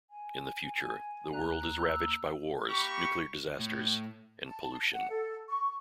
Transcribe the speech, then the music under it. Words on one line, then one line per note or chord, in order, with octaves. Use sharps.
In the future, the world is ravaged by wars, nuclear disasters and pollution.
G#5
D#2 A#5 F#6
E6
A#3 G4 B5 C#6
A2
A5
F#5
A4
C#6